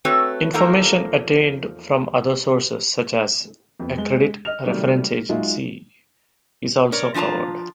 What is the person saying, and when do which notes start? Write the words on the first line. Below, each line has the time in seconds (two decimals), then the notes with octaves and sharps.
Information attained from other sources, such as a credit reference agency, is also covered.
0.05 A3 C4 F#4 B4 C#5
0.53 E2 F3 A#3 D#4 A4 A#5
3.80 F2 B3
3.98 G#3 G7
4.45 D#5 F6 F7
4.64 C3 D#3 F#3 G3 A3
5.29 F#3 G#3 D#4 F4 G#4 E5
6.92 A#4 C#5 D5
7.14 F3 D4 F4 A5 A#5